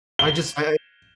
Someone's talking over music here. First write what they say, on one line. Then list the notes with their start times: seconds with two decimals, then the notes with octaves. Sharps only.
I just I I
0.19 G7